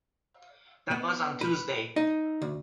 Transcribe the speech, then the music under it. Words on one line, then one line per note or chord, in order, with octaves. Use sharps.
That was on Tuesday.
B3
B4
D#4
D2